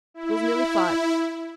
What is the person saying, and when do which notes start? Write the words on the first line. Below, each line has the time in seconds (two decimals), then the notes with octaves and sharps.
It was nearly five.
0.14 E4